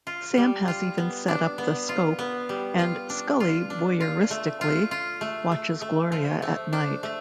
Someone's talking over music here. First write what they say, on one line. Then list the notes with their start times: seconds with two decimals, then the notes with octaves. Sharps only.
Sam has even set up the scope and Scully voyeuristically watches Gloria at night.
0.07 F4
0.37 G3
0.68 F4
0.98 B3
1.28 D4
1.58 B3
1.89 F4
2.19 B3
2.49 G3
2.79 F4
3.10 D4
3.40 F4
3.70 D4
4.00 F4
4.31 A3
4.61 F4
4.91 F4
5.21 A3
5.52 A3
5.82 A3
6.12 F3
6.42 A3
6.73 D4
7.03 A3